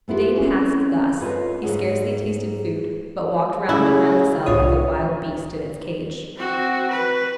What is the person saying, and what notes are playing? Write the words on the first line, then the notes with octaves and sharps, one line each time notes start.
The day passed thus; he scarcely tasted food, but walked round and round the cell like a wild beast in its cage.
A3 B3 E4 F4 G4
C4 C#4 E4 G#4 B4
F4 A4 B4 C#5 D#5
G#2 G#3 G#4 C#5 E5 F#5
C#3 E4
C2 A2 D4 F4 C#5 D#6
C4 F#4
B4